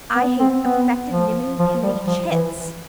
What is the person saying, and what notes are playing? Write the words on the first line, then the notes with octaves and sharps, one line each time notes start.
"I hate affected, niminy-piminy chits!"
B3
C4
B3
F3
F3
G3
F3
E3